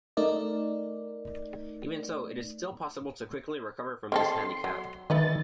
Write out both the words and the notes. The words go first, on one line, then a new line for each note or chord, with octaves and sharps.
Even so, it is still possible to quickly recover from this handicap.
A3 D#4 A#4 D5
D#3 C4 A4 C6
F#3
D#3 A3 B4 D#5 A6